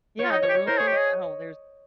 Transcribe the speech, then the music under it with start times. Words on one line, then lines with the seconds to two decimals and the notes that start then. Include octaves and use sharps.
Yeah, the rules? Oh, there's
0.19 C#5
0.24 F4
0.31 D#4 D#5
0.43 C#5
0.49 G4
0.54 C#5
0.67 A#4 C5
0.77 G#4 C#5
0.87 G4
0.92 G#4 D#5